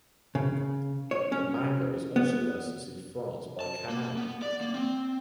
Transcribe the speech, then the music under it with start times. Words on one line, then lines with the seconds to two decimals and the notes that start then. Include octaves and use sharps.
The manga is also licensed in France by Kana.
0.35 C#3
1.11 C#5
1.32 C#4
2.16 B3
3.60 A5
3.90 A#3
4.17 B3
4.42 D5
4.61 A#3
4.74 C4